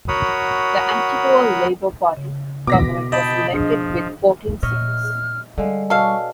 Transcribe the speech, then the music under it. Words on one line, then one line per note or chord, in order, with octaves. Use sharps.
The Antigua Labour Party government was elected with fourteen seats.
F#4 A#4 C#5 F#5 B5 D#6
C#3
B2 D6 A#6 B6
D#5 G5 A5 B5
F3 D4 G#4
A#2 C#5 D#5 E5 F6
D3 G3 G#3 F5
B2 C#4 D4 A4 F5 C#6